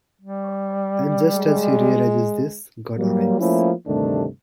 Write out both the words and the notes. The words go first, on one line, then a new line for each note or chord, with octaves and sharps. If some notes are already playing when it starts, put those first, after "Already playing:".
And just as he realizes this, God arrives.
G3
G#3
F#3 G3 A#3
F3 A3 A#3 C#4 E4
D2 G2 C3 D#3 A3 D4